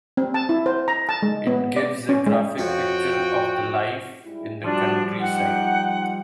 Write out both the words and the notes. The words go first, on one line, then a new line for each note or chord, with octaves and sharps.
It gives a graphic picture of the life in the country side.
C4
A5
E4
C5
A#5
A5
G#3
B3
D5
C#4
G#3
F2 F3 F#4 C#5 G5
G3 G#3 E4
F3 G3 D4 F#4
D#4 F#5 G5